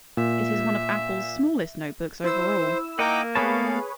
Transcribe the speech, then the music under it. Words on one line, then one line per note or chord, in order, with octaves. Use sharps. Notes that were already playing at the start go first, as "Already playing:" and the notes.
It is one of Apple's smallest notebooks overall.
A#2 E5
E4 C5 E6
A#3 D#4 A#4 D#5 F#5 G5 D6
A3 B3 G#4 B4 C#5 F5 A5